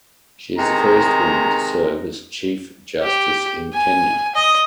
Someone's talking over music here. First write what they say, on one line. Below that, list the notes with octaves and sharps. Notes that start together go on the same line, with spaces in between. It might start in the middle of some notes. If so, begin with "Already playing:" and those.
She is the first woman to serve as Chief Justice in Kenya.
C3 D#3 G#3 B4 A#5
G4
G#5
D#5